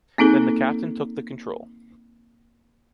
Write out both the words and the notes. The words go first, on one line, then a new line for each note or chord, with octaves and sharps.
Then the captain took the control.
A#3 C4 D#4 G#4 A4